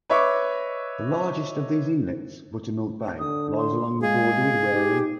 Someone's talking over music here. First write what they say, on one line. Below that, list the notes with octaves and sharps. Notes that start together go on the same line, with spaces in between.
The largest of these inlets, Buttermilk Bay, lies along the border with Wareham.
B4 C#5 D#5 E5 C#6 D6
D3 D#6
C6
G#3 G#4 F5
D#4 G4